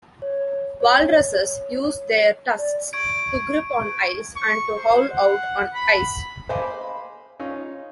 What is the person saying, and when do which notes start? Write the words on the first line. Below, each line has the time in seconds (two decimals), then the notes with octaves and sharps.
Walruses use their tusks to grip on ice and to haul out on ice.
0.22 C#5
0.80 C#5
2.59 D5
2.93 C#6 G#6 D7
4.36 C#6
4.76 C5
5.11 F#5
5.74 B5
6.49 C5 D#5 F5 G#5 B5 D6
6.81 B5
7.39 C#4 D#4 F4